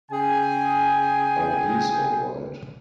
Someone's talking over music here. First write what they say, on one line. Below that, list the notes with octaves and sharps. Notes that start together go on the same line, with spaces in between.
Oh, he's all right.
C#3 G#4 G5 G#5